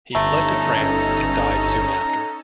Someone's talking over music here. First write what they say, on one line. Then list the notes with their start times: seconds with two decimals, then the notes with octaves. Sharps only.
He fled to France and died soon after.
0.15 G1 A3 C#4 D#4 A4 A#5